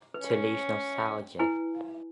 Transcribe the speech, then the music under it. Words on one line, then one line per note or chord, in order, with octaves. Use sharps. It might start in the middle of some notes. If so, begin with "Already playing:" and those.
To leave nostalgia.
C#4 B4
E4 B4 G#5